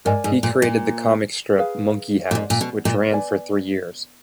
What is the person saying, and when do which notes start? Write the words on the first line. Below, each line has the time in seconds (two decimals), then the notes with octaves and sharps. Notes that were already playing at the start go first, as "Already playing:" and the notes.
He created the comic strip "Monkeyhouse", which ran for three years.
0.05 G#2 A#4 D5 G#5
0.24 G#2
0.43 A#2
0.62 A#2
1.58 G#4 B4 F5
2.31 A#2
2.35 G#2
2.50 A#2
2.61 B2
2.85 A#2
3.11 B4 D5 G#5